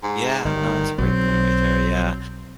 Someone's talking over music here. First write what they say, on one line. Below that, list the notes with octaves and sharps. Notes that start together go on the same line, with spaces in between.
Yeah. No, that's a great point right there, yeah.
G#2
G1 D#3 G3
B1 F#3 C4